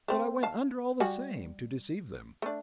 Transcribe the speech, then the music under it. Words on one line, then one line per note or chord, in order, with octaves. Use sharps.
But I went under all the same to deceive them.
A3 C4
F5 A5
G3 F#4 G#5
A3 D4